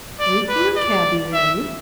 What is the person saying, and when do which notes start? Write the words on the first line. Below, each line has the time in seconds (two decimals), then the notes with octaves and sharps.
"Ain't you a cabby, then?"
0.20 D5
0.48 B4
0.77 D5
1.33 E5